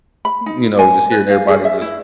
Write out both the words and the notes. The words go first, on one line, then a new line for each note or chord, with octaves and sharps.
you know, just hearing everybody just
B5
D#4
G#5
B4
F5
G#4
E5
E4